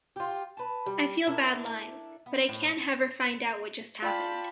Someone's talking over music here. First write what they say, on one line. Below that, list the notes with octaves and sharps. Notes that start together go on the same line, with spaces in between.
I feel bad lying, but I can't have her find out what just happened.
F4 G4
B4 A5
G3
D4 E4 A4 A#4
B3
A2
F4 D5 G5 A5 B5